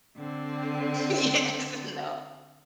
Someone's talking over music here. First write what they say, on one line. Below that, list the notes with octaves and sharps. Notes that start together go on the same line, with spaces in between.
Yes. No.
D3 C4